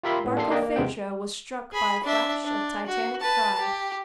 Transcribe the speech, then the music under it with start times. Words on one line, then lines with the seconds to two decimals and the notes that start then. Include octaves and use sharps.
Barkilphedro was struck by a flash of Titanic pride.
0.03 F4 G4 A#4 E5 B5 C6
0.24 A2 B3
0.36 A#3 D4 G4 A4 C6 C7
0.50 A#3 D4 D#5 G5 A5
0.63 A#3
0.76 D#2 C3 G#3 B3 C4 G5
1.73 G#4 B5
2.04 D4 E5
2.44 D4
2.86 F#4
3.20 B4 A5
3.60 G4